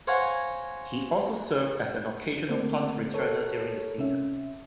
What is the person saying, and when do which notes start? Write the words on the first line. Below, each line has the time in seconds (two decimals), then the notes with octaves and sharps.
He also served as an occasional punt returner during the season.
0.07 C5 C#5 F5 F#5 G#5 A#5
2.49 D3 A3 A#3 C4
3.14 A4 A#4 C#5
3.98 C3 C#4 E5